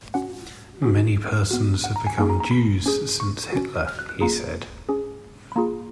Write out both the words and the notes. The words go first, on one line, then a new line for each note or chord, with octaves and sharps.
"Many persons have become Jews since Hitler," he said.
C#4 F#4 F#5
C#4 F#4
B3 F#4
F#5
A#5
G#5
A#3 D#4 G#4 G#5
A#5
A#5
B5
C#4 G#4
C#6
C#4 F#4
F6
F#6
F#6
A#3 F4 G#4 A#5
C#4 G#4
B5
A#3 F4 G#4 A#5